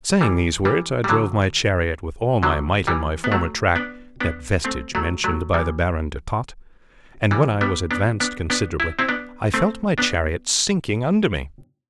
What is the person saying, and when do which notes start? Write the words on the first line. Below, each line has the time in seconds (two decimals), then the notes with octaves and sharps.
Saying these words, I drove my chariot with all my might in my former track, that vestige mentioned by the Baron de Tott, and when I was advanced considerably, I felt my chariot sinking under me.
0.21 E3 G3
0.65 E3 G3
1.04 G3
1.09 D3 F#3
2.43 D3 F#3
2.87 E3 G3
3.24 B3
3.32 F#3 A3
3.76 B3 D4
4.20 B3 D4
4.64 A3 C4
4.95 F#3 A3
5.24 F#3 A3
5.54 E3 G3
7.31 E3 G3
7.61 G3 B3
7.91 B3 D4
8.20 B3 D4
8.50 B3 D4
8.80 E4
8.99 C4 E4
9.09 B3 D4
9.54 A3 C4
9.98 B3 D4